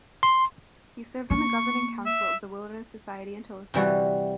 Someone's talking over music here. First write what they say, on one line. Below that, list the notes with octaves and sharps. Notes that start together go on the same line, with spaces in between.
He served on the governing council of the Wilderness Society until his death.
C6
A#3 C#6
E5
C3 E3 G3 F#4